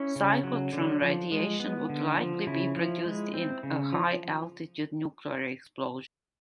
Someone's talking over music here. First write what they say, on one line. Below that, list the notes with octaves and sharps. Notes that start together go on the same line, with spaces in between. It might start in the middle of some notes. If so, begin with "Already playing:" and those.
Cyclotron radiation would likely be produced in a high altitude nuclear explosion.
Already playing: C#4 E4
C#3
F#3
D3
F3
G#3
B3
D3
F3
C#3 E4
F3
G#3
C4
C#3
F3